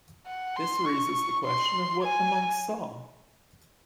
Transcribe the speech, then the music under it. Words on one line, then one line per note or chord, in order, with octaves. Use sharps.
This raises the question of what the monks saw.
F#5
C6
C#6
C6
G#5